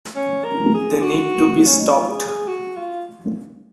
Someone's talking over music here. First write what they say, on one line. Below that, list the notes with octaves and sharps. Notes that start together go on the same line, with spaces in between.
They need to be stopped.
C#4
A#4
G#4
F#4
C#4
D#4
F4
G#4
G#4
F#4
F4